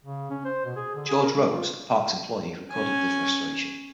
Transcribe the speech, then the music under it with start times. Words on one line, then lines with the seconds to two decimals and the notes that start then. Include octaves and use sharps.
George Rose, a parks employee recorded this restoration.
0.05 C#3
0.30 C#4
0.45 C5
0.65 B2
0.76 G#4
0.95 D3
1.08 G#4
1.22 A#4
1.35 G#3
1.52 F4
2.71 C#4 G#5